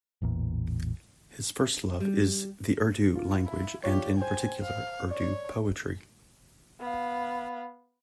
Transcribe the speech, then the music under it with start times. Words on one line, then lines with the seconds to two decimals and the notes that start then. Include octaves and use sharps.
His first love is the Urdu language and in particular Urdu poetry.
0.22 A1 E2 A#2
2.00 G3
3.15 F4
3.45 E4
3.84 D4 F4 G4 C#5
4.18 C5 G5 G#5
4.62 F5
5.11 C#5 D5
6.80 B3 F5